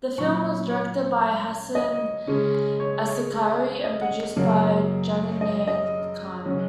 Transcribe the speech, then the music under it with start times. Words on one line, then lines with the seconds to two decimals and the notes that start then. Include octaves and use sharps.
The film was directed by Hasan Askari and produced by Jahangir Khan.
0.18 A#2 F#3 C#4 C#6
0.70 C#5
1.75 D#5
2.27 C#3 G#3 C#4
2.80 C#5
3.05 C#5
3.84 D#5
4.01 F#5
4.36 F#2 C#3 F#3 A#3
5.41 D#5
5.67 D#5
6.45 C#3 F#3 C#4